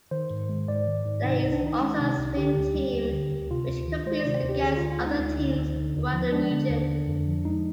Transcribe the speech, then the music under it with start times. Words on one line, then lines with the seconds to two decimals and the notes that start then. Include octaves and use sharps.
There is also a swim team which competes against other teams throughout the region.
0.11 D#3 C5
0.30 G#2
0.49 G#3
0.68 G#2 D5
0.87 D#3
1.06 G#2
1.24 C3 D#4
1.39 C2 D#4
1.52 D4
1.63 D#3 D#4
1.81 G#3
2.00 C3
2.18 C2
2.37 D3 G4
2.57 D2
2.75 G3
2.94 D2
3.12 D3
3.32 D2
3.51 C3 F4
3.69 D2
3.88 D#3
4.06 G#3 C5
4.21 D5
4.26 C3
4.35 C5
4.44 D2
4.49 G4
4.63 D3 G#4
4.77 D2 F4
4.92 F4
5.01 G#3
5.06 D#4
5.20 D2
5.38 D3
5.57 D2
5.76 D3
5.95 D#2
6.13 F3
6.32 G#3 D4
6.51 D3
6.70 D#2
6.89 D3
7.08 F2
7.27 F3
7.45 G#3 D#4